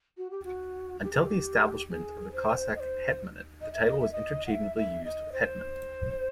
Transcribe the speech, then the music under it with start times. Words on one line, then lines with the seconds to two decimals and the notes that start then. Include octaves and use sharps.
Until the establishment of the Cossack Hetmanate the title was interchangeably used with Hetman.
0.18 F#4
0.31 G4
0.44 F#4
1.03 G4
1.12 G#4
1.22 G#4
1.26 G4
1.90 G#4
2.33 C5
2.76 D#5
2.80 C5
3.61 D#5
3.73 E5
3.87 D#5
4.00 E5
4.12 D#5
4.47 F#5
4.51 E5
4.76 E5
5.05 D#5
5.33 C5